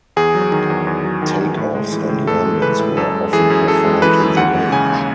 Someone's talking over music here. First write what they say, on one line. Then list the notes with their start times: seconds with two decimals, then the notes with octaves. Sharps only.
Takeoffs and landings were often performed in the range.
0.16 E2 G#4
0.35 F#3
0.52 D#3
0.70 E2
0.87 E2
1.04 F#3
1.22 D#3
1.40 E2
1.57 A2
1.75 G#3
1.92 E3
2.09 A2
2.27 A2 A4
2.45 G#3
2.62 E3 B4
2.79 A2
2.97 F#2 A4
3.15 G#3
3.33 E3 G#4
3.50 F#2
3.67 F#2 A4
3.85 G#3
4.02 E3 B4
4.20 F#2
4.37 D#2 F#5
4.55 G#3
4.72 C#3 G#5
4.90 D#2